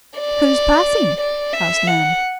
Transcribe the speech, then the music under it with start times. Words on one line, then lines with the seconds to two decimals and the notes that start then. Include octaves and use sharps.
"Who is passing?" asked Nan.
0.19 D5
1.20 D5
1.53 E5
1.87 F#5